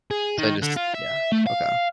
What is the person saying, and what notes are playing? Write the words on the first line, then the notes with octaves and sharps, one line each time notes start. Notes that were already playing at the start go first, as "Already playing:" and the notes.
So I just Yeah, okay. I
G#4
D#3
D3
F4
E5
A3
F5